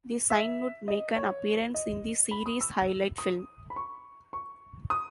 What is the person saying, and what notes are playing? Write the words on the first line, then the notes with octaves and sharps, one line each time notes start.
The sign would make an appearance in the Series highlight film.
E5
D#5
C#5
D#5
B5
D#6
E6
D#6
B5
C#6
C#6
D#6